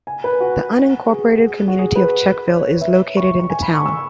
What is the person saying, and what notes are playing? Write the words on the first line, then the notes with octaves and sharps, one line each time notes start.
The unincorporated community of Czechville is located in the town.
G#5
B4
F#4
G#4
F#4
G#4
B4
C#5
C#5
C#5
E5
C#6
C#6
G#5
B5
C#6
E6